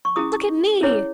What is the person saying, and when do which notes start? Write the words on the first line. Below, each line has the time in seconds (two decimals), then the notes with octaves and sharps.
"Look at me!"
0.05 C#6
0.16 C#4 E4 G#4 D#6
0.81 C#4 E4 G#4 C#5